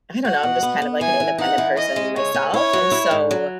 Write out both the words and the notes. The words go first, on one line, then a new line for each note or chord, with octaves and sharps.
I don't know, I'm just kind of, like, an independent person myself, and so
F#4 F#5
B2
B3
B3
E3 G#5
E3
D#4 F#5
E3
C#4 D#5
G#3
C#3 C#5
C#4
E4 C#5
F#3
E4
G#2
F#3